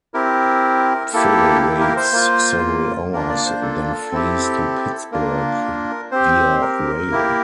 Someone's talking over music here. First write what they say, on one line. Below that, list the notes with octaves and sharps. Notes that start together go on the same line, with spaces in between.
Phil waits several hours, then flees to Pittsburgh via rail.
C4 E4 G4 A#4
A#3 E4 G4 A4
A4
A#4
C5
A#3 F4
A#3 D4 F4 A#4
D5
C5
A4
C4 E4 G4
A#3 D4 F4 A#4
C4 G4 C5
A#4
A#3 E4 G4